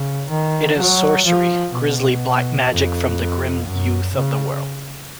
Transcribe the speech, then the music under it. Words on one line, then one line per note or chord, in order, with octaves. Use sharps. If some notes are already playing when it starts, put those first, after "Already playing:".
It is sorcery - grisly black magic from the grim youth of the world.
Already playing: C#3
D#3
F#3
F3
B2
F2
F#2
C#3